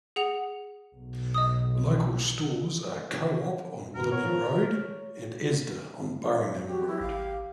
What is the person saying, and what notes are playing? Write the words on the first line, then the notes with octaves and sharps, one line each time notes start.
Local stores are Co-op on Willoughby Road, and Asda on Burringham Road.
G#4 F#5 F7
B1
D#5 D#6
G2 A#2 D#3 A#4
B3 C#5
D#3 F3
C#5
F#3
F#4 G4
E4
G#1 F5